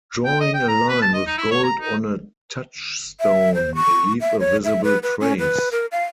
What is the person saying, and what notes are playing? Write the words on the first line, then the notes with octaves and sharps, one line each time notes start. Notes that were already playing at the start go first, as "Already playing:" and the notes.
Drawing a line with gold on a touchstone will leave a visible trace.
G5
D#5
G5
A#5
B4
A5
D#5
D#4
E4
C#5
A#5
D#4
E5
C5
C#6
E5
C#5
E5
B4
B4
C#4
B4
A#4
F5